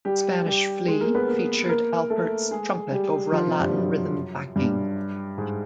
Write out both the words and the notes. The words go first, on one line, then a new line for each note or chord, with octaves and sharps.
"Spanish Flea" featured Alpert's trumpet over a Latin rhythm backing.
G3 G4
G3 G4
G#3 G#4
A#3 A#4
B3 B4
A#3 A#4
A#3 A#4
A3 A4
G#3 G#4
G3 G4
F3 F4
C3 C4
G2 G3
F#2 F#3
G2 G3
G#2 G#3